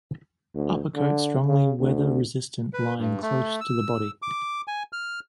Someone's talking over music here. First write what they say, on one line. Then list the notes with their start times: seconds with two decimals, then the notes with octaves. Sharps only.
Upper coat strongly weather-resistant lying close to body.
0.55 D2
0.95 D3
1.47 C#3
1.79 D2
2.73 B4
2.97 G2
3.22 A3
3.61 E6
4.22 D6
4.68 G#5
4.93 F6